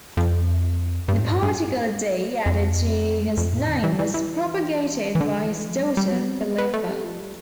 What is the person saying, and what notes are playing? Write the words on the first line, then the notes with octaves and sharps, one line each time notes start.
The particle "de" added to his name was propagated by his daughter Philippa.
F2
G2
A2
G2
G2
F2
F2
A2
D3
E3
E3
E3
E3
D3
E3
F3
G3
G3
B3
C4
B3
B3
A3
G3
F3
G3